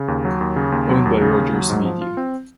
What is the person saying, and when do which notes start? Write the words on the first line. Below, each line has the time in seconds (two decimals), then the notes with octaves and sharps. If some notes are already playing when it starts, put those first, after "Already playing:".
Owned by Rogers Media.
Already playing: C#3
0.08 D#2
0.25 F#3
0.41 D#2
0.56 C#3
0.72 D#2
0.89 F#3
1.06 D#2
1.21 C#3
1.37 D#2
1.54 F#3
1.70 G#2
1.85 F3
2.01 F4
2.17 C4